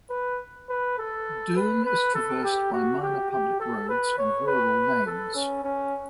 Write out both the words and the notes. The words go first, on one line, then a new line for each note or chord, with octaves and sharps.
Doon is traversed by minor public roads and rural lanes.
B4
B4
A4
B4
B4
A4
G4
F#4
G4
G4
A4
B4
C#5
B4
A4
C#4
C#4